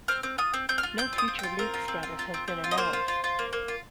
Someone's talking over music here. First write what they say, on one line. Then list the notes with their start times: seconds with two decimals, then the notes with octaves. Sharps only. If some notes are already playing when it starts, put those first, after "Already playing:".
No future league status has been announced.
0.08 C4 F6
0.23 C4
0.38 F4 D#6
0.53 C4
0.69 C4 G6
0.78 F6
0.83 F4
0.98 C4 G6
1.13 F4
1.18 D#6
1.28 C4
1.39 F4 G5
1.59 C4 A#4
1.74 F4
1.88 C4
2.03 F4
2.19 F4
2.34 C4
2.48 C4
2.64 F4
2.71 D#5
2.78 A#3 C5
2.93 F4
3.08 F4
3.24 F4
3.39 A#3
3.53 A#3
3.68 F4